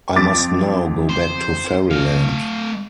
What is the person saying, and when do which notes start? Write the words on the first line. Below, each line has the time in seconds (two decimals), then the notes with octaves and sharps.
I must now go back to Fairyland.
0.16 F2 D6 A6
1.09 C5
1.91 A3 F5